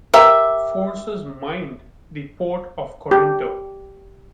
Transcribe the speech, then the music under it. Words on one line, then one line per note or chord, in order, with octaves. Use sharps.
Forces mined the Port of Corinto.
G4 A#4 E5
G4